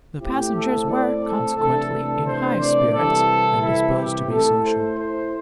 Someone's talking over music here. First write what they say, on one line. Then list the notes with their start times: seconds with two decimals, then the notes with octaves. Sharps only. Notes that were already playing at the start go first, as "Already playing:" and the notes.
The passengers were, consequently, in high spirits and disposed to be social.
0.19 A2 A3 C4 E4 G4
0.54 A4
0.88 D5
1.22 A4
1.56 C3 E3 A3 D4 A4
1.90 A4
2.24 C5
2.58 D5
2.93 C2 C3 E3 C4 E4 A4
3.61 E4
3.95 G4
4.29 A2 A3 E4 A4
4.63 C5
4.98 C5